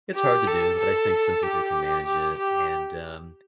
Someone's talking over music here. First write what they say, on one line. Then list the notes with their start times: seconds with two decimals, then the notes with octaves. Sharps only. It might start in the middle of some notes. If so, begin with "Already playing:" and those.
It's hard to do, but I think some people can manage it, and, um,
0.14 G4
0.47 A4
0.79 A4
1.43 G4
2.06 G4
2.37 G4